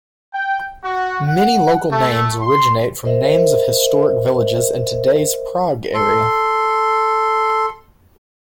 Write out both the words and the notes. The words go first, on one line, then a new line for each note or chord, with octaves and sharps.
Many local names originate from names of historic villages in today's Prague area.
G5
F#4
F#5
A3
C6
A#4 C5 D#5 E5
A4 C6